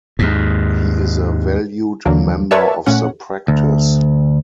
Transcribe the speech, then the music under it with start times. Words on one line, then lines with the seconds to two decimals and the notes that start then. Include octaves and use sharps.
He is a valued member of the practice.
0.19 D#2 G#2
2.05 D#2 D3 E3 F#3 A#3 D4
2.51 A#4 B4 C#5 D5 E5 A5
2.86 A#2 A3 C#4 F#5
3.48 D2